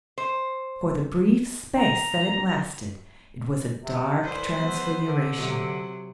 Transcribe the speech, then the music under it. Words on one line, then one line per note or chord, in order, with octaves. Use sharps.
For the brief space that it lasted, it was a dark transfiguration.
C5
A#5
C3
C2 B4 C5
E2
D3
C3 F#3